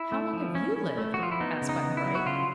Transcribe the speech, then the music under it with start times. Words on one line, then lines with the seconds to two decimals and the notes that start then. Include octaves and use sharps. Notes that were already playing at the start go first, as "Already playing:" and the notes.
"How long have you lived?" asked Button-Bright.
Already playing: E4
0.12 A3
0.34 F3
0.55 C#4
0.76 C#4
0.98 A3
1.14 F#4
1.19 F3 F4
1.32 E4
1.40 B3 D#4
1.62 C#3
1.69 D#4
1.83 B3
1.97 E4
2.04 F#3
2.15 F#4
2.26 C#3 F4